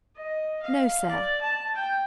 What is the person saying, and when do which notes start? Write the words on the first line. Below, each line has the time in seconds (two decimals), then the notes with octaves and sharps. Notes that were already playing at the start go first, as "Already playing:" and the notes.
"No, sir."
0.16 D#5
0.62 F5
1.09 D5
1.41 A5
1.75 G5